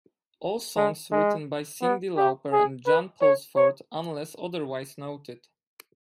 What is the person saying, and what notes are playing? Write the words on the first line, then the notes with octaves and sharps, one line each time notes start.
All songs written by Cyndi Lauper and Jan Pulsford unless otherwise noted.
G#3
G#3
B3
G4
G#4
B4
C#5
C#5